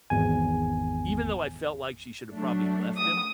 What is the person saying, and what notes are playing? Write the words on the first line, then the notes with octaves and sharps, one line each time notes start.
even though I felt like she should have probably left him,
G#1 E2 G#5
F#3 A3 D4
D#6